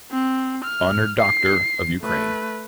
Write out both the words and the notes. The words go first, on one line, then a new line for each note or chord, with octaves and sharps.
Honored Doctor of Ukraine.
C4
F6
C7
A3 B4